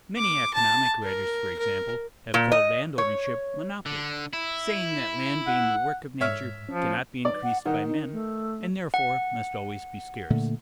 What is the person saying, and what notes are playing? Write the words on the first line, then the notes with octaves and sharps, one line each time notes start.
Many economic writers, for example, have called landownership monopoly, saying that land being the work of nature cannot be increased by men, and therefore must always be scarce.
D6
A5
A#4
A#4
A#2
D#5
C#5
D3
E4
F#5
G#2 C#5 E5 F6
F3 C#4
D5
F#5
D#3 F#5
D#4
A3
F#5
A#2 D3 A3